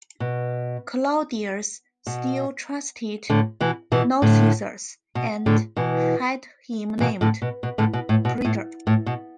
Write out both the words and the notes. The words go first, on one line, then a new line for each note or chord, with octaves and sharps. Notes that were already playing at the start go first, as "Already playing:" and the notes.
Claudius still trusted Narcissus, and had him named "praetor".
B2
B2
A2 D3
B2 E3
B2 E3
A2 D3
B2
A2 D3
B2 E3
B2 E3
A2 D3
B2
B2
A2 D3
B2
A2
B2
A2
A2
B2